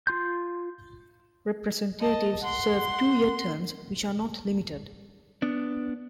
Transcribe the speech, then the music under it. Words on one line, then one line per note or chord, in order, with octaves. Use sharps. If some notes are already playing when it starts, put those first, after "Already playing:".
Representatives serve two-year terms which are not limited.
F4 C6 G6
D#5 A5
F#5 C6
B3 D4